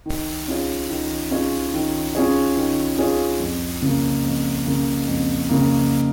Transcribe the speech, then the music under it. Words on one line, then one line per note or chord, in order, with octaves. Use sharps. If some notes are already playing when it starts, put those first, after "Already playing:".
When the board becomes full, the round is finished.
D#3
C#4 F4 G#4 C#5
D#3
C#4 F4 G#4 C#5
D#3
C#4 F4 G#4 C#5
D#3
C#4 F4 G#4 C#5
F2
C#3 A#3
F2
C#3 A#3
F2
C#3 A#3